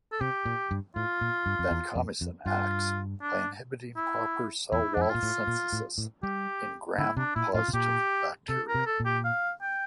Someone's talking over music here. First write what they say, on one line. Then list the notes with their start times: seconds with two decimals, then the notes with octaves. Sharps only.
Vancomycin acts by inhibiting proper cell wall synthesis in Gram-positive bacteria.
0.12 A4
0.21 C3 G4
0.46 A#2
0.71 G2
0.96 A2 F4
1.21 A#2
1.46 G2
1.59 F2
1.71 E2
1.95 F2
2.21 F2
2.46 G2 F4
3.22 D4
3.96 E4
4.72 E2 E4
4.94 F2 D4
5.02 E4
5.09 F4
5.15 A#2
5.23 A2
5.47 A#2
5.73 A2
5.98 A2
6.23 G3 G4
6.98 D3 E4
7.17 C3 D4
7.36 A#2 E4
7.54 A2 F4
7.68 C3
7.74 A#2 G4
8.49 C3 A4
8.68 A#4
8.75 C3
8.86 A4
9.00 A#2
9.05 G4
9.25 F5
9.62 G5